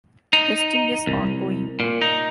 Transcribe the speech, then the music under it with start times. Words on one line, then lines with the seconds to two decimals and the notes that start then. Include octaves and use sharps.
Testing is ongoing.
0.33 D#4
1.07 C2
1.80 A#2
2.02 D#4